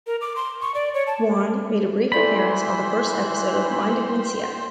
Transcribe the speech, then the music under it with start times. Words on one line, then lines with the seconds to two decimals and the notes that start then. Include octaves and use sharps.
Juan made a brief appearance on the first episode of "Mind of Mencia".
0.07 A#4
0.21 D6
0.36 C6
0.61 C#6
0.75 D5
0.94 C#5
1.07 A5
2.12 E3 A4 C5 D5 G5 B5